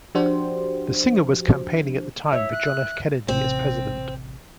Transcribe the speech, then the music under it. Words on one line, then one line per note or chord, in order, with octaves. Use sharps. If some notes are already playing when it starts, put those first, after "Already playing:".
The singer was campaigning at the time for John F. Kennedy as president.
F3 D4 F#4 G4 C5
C#5 E5
F#6
A1 C3 C4